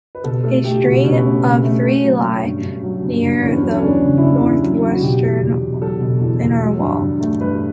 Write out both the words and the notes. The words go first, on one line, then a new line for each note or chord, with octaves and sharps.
A string of three lie near the northwestern inner wall.
B4
B2 A4
A3 A4
A3 G4
B2 F#4
B2 C#4
B3
C#4
A3
B2
A3
A3
F#3
F#3
G2
G2
F#3
G2
G2
E2 C#4
B3
F#3 C#4
C#4
E2 D4
C#3
E4
E2 D4
E2
F#3
F#3
F#4
B2 G4
E2
E2
B2
F#3 A4
B2
E2
E2
F#3
G2
G2
A3
G2 B4